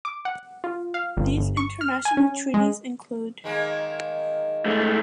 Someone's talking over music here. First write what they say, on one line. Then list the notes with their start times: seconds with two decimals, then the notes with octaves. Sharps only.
These international treaties include.
0.05 D6
0.25 F#5
0.64 F4
0.94 F5
1.17 G1
1.37 G1
1.57 C#6
1.81 F6
2.05 G#5
2.17 C#4
2.54 G#3
3.44 D#3 G#3 A#3
4.65 G#2 A3